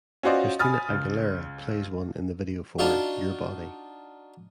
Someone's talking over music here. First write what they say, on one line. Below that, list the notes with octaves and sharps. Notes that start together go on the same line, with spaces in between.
Christina Aguilera plays one in the video for "Your Body".
C#4 F4 F#4 C5 D5 D#5
G#5 B5 D#6 F6 A6
C#2
D4 D#4 F4 F#4